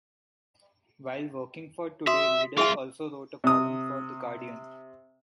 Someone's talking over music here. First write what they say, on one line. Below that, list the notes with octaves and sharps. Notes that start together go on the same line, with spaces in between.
While working for "Today", Liddle also wrote a column for "The Guardian".
F#4 E5 C6 D#6
C2 F4 G#4 E5 G#5
C3 D#6